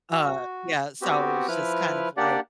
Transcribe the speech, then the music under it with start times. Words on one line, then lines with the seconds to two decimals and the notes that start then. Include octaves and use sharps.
uh, yeah, so, it's just kind of, like,
0.11 F#4
1.02 B3 C4 F#4 G4
1.48 F3 E4 B4 F6
2.17 A#3 D4 G4 D5 F#5